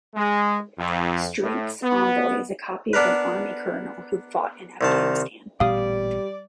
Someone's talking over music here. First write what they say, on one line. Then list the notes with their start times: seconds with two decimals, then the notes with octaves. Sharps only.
Strength's Envoy is a copy of an Army Colonel who fought in Afghanistan.
0.15 G#3
0.79 F2
1.42 A2
1.82 B3
2.93 B3 D4 A#4 B4
4.81 C2 D#3 A5
5.60 A1 A#2 G3 B3 D5 F5 D#6